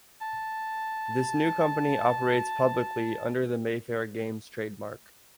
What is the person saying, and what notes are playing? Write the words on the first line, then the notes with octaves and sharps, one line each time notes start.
This new company operates publicly under the Mayfair Games trademark.
A5